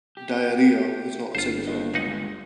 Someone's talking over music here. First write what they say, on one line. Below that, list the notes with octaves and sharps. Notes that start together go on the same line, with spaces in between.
Diarrhea is not a side effect.
G4
G1 F4 C5
A#3 D#5
C#2 D3 G#3 D#4 G4 F#5